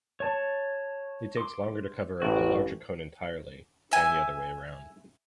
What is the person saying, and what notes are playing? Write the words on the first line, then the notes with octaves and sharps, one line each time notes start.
It takes longer to cover a larger cone entirely, and the other way around.
C#5 A5
C6 D6
A1 F#4 D5
E5 G#5